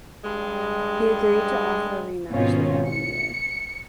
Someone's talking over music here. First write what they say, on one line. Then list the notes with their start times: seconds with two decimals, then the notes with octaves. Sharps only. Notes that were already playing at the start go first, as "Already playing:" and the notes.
He agreed to offer a rematch the following year.
0.24 G2 G3 G#3
2.31 G#2 B2 D#3 C4 C#4 F4
2.89 C#7